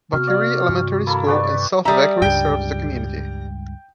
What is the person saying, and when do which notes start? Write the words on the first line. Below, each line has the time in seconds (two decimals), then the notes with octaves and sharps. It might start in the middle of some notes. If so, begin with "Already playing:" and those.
Vacherie Elementary School in South Vacherie serves the community.
0.13 C3 B3 F#4 F6
0.27 D5 F5
0.69 G2 C3 D#3
1.07 A#3 E4 A4 B5
1.26 G4 B4 D5 C#6
1.85 G3 E5 A#5 D#6
2.22 C#2 G2 G5